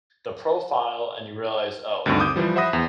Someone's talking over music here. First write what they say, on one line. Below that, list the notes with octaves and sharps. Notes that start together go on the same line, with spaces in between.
the profile and you realize, "Oh,
D2 G2 D3 D#3 C4
D6 D#6 G6
E3 F3 G3
C5 E5 F#5 B5 D#6 A#6
E2